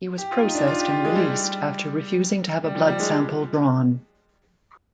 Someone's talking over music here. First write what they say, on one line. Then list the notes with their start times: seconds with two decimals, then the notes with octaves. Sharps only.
He was processed and released after refusing to have a blood sample drawn.
0.18 G4
0.31 F4
0.43 D#4
0.55 D4
0.67 F4
0.79 G4
0.92 F4
1.05 G#3
1.16 G3
2.64 G3
2.75 F3
2.88 G3
3.00 G#3